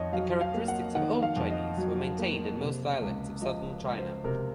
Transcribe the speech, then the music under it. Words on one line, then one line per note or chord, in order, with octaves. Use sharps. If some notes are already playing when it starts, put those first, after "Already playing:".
The characteristics of Old Chinese were maintained in most dialects of southern China.
Already playing: F2 D#3 C#5 D#5
F#3 F5
F5
A#3
F#5
D#3 F#5
F5
F2
D#5
F#3
A#3
C3
C#2
F3 D#5
C#2
C5
C3 A#4